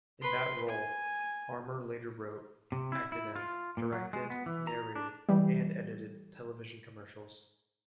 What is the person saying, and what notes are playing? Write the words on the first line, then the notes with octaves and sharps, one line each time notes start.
In that role, Armer later wrote, acted in, directed, narrated and edited television commercials.
B4 C6
G#5
C3
E4
E4
F4
A#2
F#3
G#3
B3
E3
A#5
D4
E3 G3